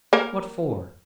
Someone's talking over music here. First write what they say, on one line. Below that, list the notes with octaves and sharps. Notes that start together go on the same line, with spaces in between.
"What for?"
A#3 A#4